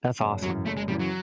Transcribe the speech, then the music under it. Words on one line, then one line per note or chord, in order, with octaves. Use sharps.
That's awesome.
F#1
F#2 C#3 E3 F#3
F#1 A3
G#3
F#2 C#3 E3 G3
F#3